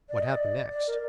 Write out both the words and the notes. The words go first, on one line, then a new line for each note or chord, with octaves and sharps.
"What happened next?"
D5
D#5
D5
D5
A#4